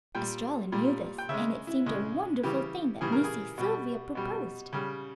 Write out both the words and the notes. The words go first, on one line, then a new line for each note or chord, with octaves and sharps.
Estralla knew this, and it seemed a wonderful thing that Missy Sylvia proposed.
A#2 G3 G5
A#2 G3
G5
C#3 G#3 E5
E4
C#3 G#3
C#3 E3 G3 G4
C#3 E3 G3 G#4
A#4
G#4
B2 G3
B2 G3
C#3 G3